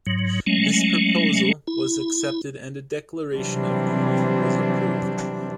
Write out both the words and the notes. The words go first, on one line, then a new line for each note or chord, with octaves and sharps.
This proposal was accepted and a declaration of union was approved.
G#2 F#3
F#3 G#3 A3 C#4
E4
C3 E3 F#3 G3 C4 D4